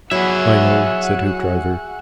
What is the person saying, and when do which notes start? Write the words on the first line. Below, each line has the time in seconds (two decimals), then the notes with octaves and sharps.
"I know," said Hoopdriver.
0.11 F#3 E4 F#4 G#4 E5 F#5